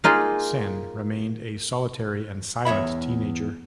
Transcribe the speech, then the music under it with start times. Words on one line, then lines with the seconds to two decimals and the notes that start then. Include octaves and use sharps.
Sen remained a solitary and silent teenager.
0.04 A#3 D#4 F4 G#4
2.65 E2 C#5 E5 B5